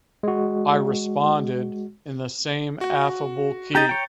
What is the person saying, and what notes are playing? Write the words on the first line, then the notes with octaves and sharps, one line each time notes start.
I responded in the same affable key.
G#3 F#4
F#4
D#4 G4 A#5 G6 A6
C#5 G5